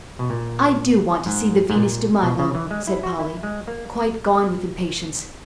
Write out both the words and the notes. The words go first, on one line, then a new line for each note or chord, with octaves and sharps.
"I do want to see the Venus de Milo," said Polly, quite gone with impatience.
B2
A#2
G#2
G#2
A#2
B2
C#3
E3
G#3
E4
F#4
E4
G#3
A#3